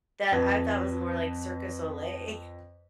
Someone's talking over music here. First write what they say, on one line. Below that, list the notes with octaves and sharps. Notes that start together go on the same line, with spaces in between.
that I thought was more like Cirque du Soleil.
F2 B4 G#6